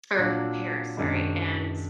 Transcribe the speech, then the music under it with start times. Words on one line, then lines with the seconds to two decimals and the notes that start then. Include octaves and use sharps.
or, Paris, sorry, and
0.19 A#2 F#3 D4
0.97 F#2 D#3 G#3 D4